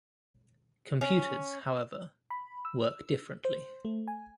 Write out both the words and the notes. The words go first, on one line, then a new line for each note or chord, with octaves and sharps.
Computers, however, work differently.
C#4
B5
E6
C5
A3
G#5